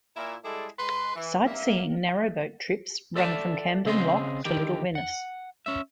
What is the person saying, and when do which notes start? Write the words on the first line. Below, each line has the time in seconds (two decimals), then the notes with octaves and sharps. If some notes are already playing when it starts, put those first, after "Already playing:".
Sightseeing narrow-boat trips run from Camden Lock to Little Venice.
0.16 A#2 E4 A#4
0.45 G3 G#3 E4 G#4 A4 D5
0.79 G#3 B4 C6
1.16 E3
1.46 G2 A#3 E5
3.16 A4 D5 E5 A5
3.85 C#3 C4 G#4 D5 D#5 C6
4.45 D3 D#3 G4 G5
4.95 F#5
5.66 C#4 E5